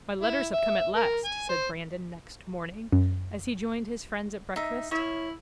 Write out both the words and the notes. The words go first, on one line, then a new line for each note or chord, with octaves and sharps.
"My letters have come at last," said Brandon, next morning, as he joined his friends at breakfast.
E4
E5
A#4
G#5
C5
F#2
D#4 E5
E4 C#5